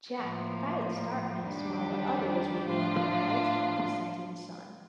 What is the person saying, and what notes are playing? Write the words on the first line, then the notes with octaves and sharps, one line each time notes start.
Jack fights Darkness while the others relay the light of the setting sun.
A2 F3 A#3
F2 D#3 G3 D4 G4
A2 F3 A3 D4 F4